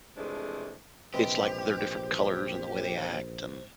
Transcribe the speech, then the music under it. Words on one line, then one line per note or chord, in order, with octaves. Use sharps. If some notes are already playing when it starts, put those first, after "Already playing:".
It's like they're different colors and the way they act, and y
F2 C3 E3 G#3 A3 D4
A#1 C3 E3 G#3 G4 C5